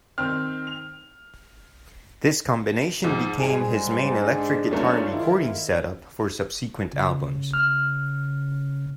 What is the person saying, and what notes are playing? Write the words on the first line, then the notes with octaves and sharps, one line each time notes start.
This combination became his main electric guitar recording setup for subsequent albums.
D#3 C4 F6
F7
G#2 F3
G#2 G3 G#4
D4
G#2 F#3 A3 C#4 F4
D#3 E4
C#3
F6